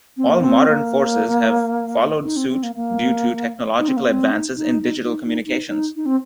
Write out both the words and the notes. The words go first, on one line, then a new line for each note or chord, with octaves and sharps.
All modern forces have followed suit due to technological advances in digital communications.
C4
A#3
C4
A#3
D#4
C4
C4
A#3
A#3
D#4
C4
A#3
C4
D#4
D#4
D#4
D#4
D#4
D#4
D#4
D#4
C4